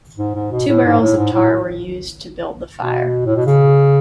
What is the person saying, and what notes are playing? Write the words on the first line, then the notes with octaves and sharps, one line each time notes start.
Two barrels of tar were used to build the fire.
G#2
G#2
B2
A2
G#2
A2
G#2
A2
B2
A2
B2
C#3